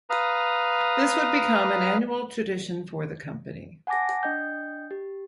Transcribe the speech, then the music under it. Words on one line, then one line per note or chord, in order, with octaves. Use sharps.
This would become an annual tradition for the company.
B4 F5 A#5 D#6
F#5 G#5 A5 D6 A#6
D4 D#5 G5 G6
G4